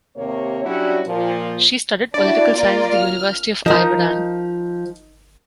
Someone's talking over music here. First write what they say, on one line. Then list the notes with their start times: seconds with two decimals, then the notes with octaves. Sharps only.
She studied political science at the University of Ibadan.
0.17 D#2 C3 A#3 C#5
0.64 F#3 G3 C#4 D4 E4 F#4
1.07 A#2 F3
2.14 D4 E4 F#4 D5
2.52 A#3 F4 A#4
2.93 F6
3.66 F3 D#4 A#4